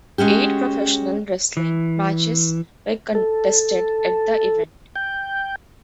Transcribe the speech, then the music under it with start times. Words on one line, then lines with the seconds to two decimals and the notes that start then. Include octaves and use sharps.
Eight professional wrestling matches were contested at the event.
0.18 G#3 C#4 F#4 G4
1.57 E3
3.15 A4
4.96 G5